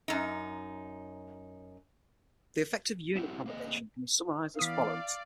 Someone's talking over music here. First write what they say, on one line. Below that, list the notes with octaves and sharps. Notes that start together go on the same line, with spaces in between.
The effect of unit propagation can be summarized as follows.
F#2 D#4
C4 E4 F#4 G4
A#3 C4 G#4 D#5
E3 B3 D5 F5 D#6 B6